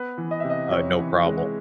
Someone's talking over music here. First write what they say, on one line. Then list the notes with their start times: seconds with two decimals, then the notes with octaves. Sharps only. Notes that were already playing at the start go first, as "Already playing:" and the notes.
uh, no problem,
Already playing: B3 B4
0.18 E3
0.31 D#5
0.40 E5
0.44 C3
0.50 D#5
0.71 C3 C#5
0.99 E3
1.26 G#3